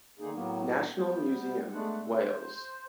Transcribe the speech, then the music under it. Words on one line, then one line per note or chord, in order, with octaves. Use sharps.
National Museum Wales.
D3 D#3 A#3 D#4 G#4
A2 F#3 A#3 B3
G3 B3 G5
G#3 A3 B3 D4 F#5
B2 D3 C4
C5